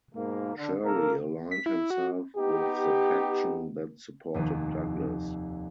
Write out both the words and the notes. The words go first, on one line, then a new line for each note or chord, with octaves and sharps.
Shirley aligned himself with the faction that supported Douglas.
G#2 B2 A#3
D3
C2 A#3 A4 A#4
B6
E4
F#4
B3 D#4 G4
F1 D#2 D#7